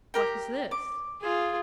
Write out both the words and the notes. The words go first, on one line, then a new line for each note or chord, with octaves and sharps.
What is this?
G4 A#4 G5
D6
F4 G#4